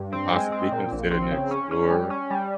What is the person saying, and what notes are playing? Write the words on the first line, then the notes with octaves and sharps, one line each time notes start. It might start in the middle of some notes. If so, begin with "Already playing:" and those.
can possibly considered an explorer,
Already playing: G2
C4
G#3
C4
A#2
A#1
C4
C#3
C#4
C#4
G3
C#4
G3